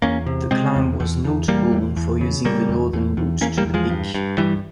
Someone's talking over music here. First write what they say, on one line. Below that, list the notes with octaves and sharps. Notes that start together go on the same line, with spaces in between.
The climb was notable for using the northern route to the peak.
E2 A#3 C#4
C3
C3 G#3 C4
E2
E2
E2
E2 G3 A#3
E2
E2
C#3
C#3 G3 A#3
E2
E2
E2
E2 A#3 C#4
G3 A#3
E2
F3 G#3
G2
G2
G2 E3 G3